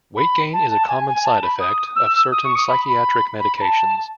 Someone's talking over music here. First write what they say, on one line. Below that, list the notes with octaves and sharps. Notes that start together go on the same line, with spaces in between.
Weight gain is a common side-effect of certain psychiatric medications.
B5
A5
A5
G#5
G#5
A5
B5
D#6
E6
D#6
C#6
D#6
B5
B5
B5
B5
A5